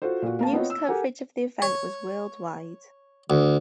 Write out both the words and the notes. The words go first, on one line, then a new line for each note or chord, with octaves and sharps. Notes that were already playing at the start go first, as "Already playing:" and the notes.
News coverage of the event was worldwide.
F4 F#4 A4 C5
A#2 F#4
A#3 A#4 A5
B3 C4 F4 C#5 D#5
E6
G4 A4 A#4 F#5 G#5
C#5
D2